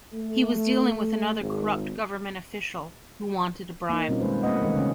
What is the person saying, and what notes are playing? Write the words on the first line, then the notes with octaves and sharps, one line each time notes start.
He was dealing with another corrupt government official who wanted a bribe.
A3
G#1
A#3 D#4
B2 G3 C4 C#4 F4
D#3 G#3 B4 C5
A3 A#3 C4 B4 D#5 F#5
D#3 E3 G#3 A3
C#3 C#4